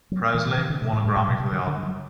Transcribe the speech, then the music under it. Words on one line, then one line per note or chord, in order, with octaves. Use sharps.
Presley won a Grammy for the album.
F#3
E3
E3
D3
B2
A2
G2
A2
B2
C3
D3
D3
F#3